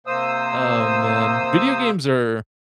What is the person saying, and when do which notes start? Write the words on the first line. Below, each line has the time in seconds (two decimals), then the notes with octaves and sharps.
Oh, man. Video games are
0.07 C3 A#3 C5 D#6 E6